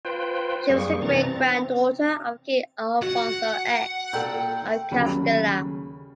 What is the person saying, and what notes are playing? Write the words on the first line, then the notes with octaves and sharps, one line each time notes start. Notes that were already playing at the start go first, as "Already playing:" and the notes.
She was the great-granddaughter of king Alfonso X of Castilla.
F4 B4 C5 G5
F#2 G3 A#3 G#4 C#6
C3 E3 C4 D4 A#5 A6
C4
F#4 F#5
A#2 A4 G5
G1 D#2 C#3 F#3 B5